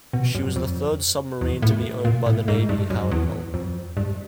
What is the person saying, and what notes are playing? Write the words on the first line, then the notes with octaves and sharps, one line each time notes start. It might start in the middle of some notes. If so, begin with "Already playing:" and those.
She was the third submarine to be owned by the Navy, however.
B2
F#2
F2
E2
A2
A#2
A2
G#2
G2
F#2
E2
F2
G2